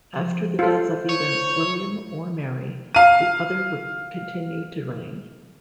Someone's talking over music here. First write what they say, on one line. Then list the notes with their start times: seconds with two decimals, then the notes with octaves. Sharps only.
After the death of either William or Mary, the other would continue to reign.
0.15 F3
0.59 F4 A4 C5
1.09 C#5
2.95 F5 D#7